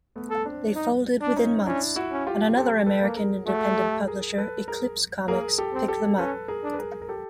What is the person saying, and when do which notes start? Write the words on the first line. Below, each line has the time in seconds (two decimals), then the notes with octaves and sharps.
They folded within months, and another American independent publisher, Eclipse Comics, picked them up.
0.16 A3 B3
0.30 A4
0.46 C4 D4
0.76 D#4
1.21 D4
1.36 C#4 D#4
1.66 C#4 D4 E4
1.96 E4 F#4
2.11 C#4
2.27 F4 G4
2.56 C4 G4 A4
2.86 A4 B4
3.02 A#3
3.17 G#4 A#4
3.47 A3 F#4 G#4
3.77 G4 A4
4.08 G#4 A#4
4.38 A4 B4
4.68 G#4 A#4
5.28 A#3 G#4 A#4
5.58 G4 A4
5.73 C4
5.88 G4 A4
6.18 C#4 A4 B4
6.48 G#4 A#4
6.64 D4
6.74 B4
6.79 G#4 A#4
7.02 A#4
7.09 G4 A4